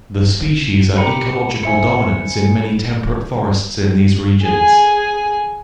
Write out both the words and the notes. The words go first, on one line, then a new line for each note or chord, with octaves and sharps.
The species are ecological dominants in many temperate forests in these regions.
G4 A#4 B5 C#7 D#7
C5 E5 G#5 C#7
G#4 G#5